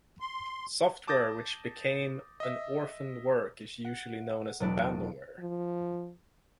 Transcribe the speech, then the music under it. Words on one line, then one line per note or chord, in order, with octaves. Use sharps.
Software which became an orphaned work is usually known as "abandonware".
C6
A5 D6 D#6 G6 A6 A#6
D#5 E5
F#5
E1 E2 F#3 D4 E4 D7
F3